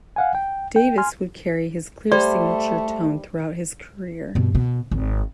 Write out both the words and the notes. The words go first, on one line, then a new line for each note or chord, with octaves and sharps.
Davis would carry his clear signature tone throughout his career.
F5 F#5 G#5
G5
G5
G#5 C6 F6
G3 A3 C5 D5
G2 B2
B2
G#1